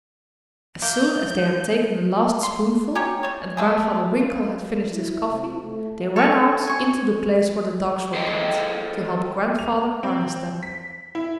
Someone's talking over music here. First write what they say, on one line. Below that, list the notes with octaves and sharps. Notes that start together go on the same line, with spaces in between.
As soon as they had taken the last spoonful, and Grandfather Winkle had finished his coffee, they ran out into the place where the dogs were kept, to help Grandfather harness them.
A#3 G6
C6
C#4 G4 A#4 C#5
G3 C#5
A3 A#3 G#4
F4
E4
C3
A3
A4 C#5 C#6
G#5 C#6
G#4 A4 C5 D#5 G5 A#5
F7
C4
B6
E4